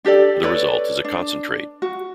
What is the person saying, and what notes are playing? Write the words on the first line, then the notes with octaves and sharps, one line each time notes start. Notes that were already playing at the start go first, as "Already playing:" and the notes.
The result is a concentrate.
D4 G4 A4 D5
A4 B4 C#5 D5
D4
F#4